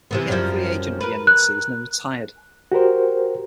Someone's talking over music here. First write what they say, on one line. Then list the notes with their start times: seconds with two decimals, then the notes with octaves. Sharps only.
He became a free agent at the end of the season and retired.
0.11 C3 E3 B3
0.30 F#2 F3 G3
1.01 A#4 B4
1.27 F#6
2.72 F#4 G4 A#4 C5